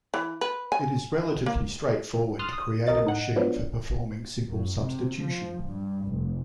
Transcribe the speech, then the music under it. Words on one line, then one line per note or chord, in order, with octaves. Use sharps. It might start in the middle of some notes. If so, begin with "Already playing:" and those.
It is relatively straightforward to create a machine for performing simple substitution.
E3
B4
G#5
A#3
C6 D#6 F6 F#6 A6
D#6
B1 A#4 D#5 A6
A2 D#4 F#5
F3 F#3 B3 D4
F#2
C3
F3
G2
F1